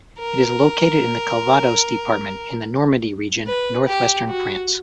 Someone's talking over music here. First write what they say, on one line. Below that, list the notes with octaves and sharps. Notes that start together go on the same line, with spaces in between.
It is located in the Calvados department, in the Normandy region, northwestern France.
A#4
B4
G4
F#4